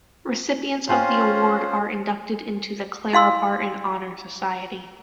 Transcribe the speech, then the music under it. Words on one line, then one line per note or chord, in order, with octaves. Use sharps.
Recipients of the award are inducted into the Clara Barton Honor Society.
C#4 F4 C5 F5 G5 G#5
E4 F5 C6 E6